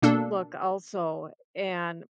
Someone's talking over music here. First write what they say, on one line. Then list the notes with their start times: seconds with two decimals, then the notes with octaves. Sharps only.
look also. And
0.02 B2 A#3 D4 A4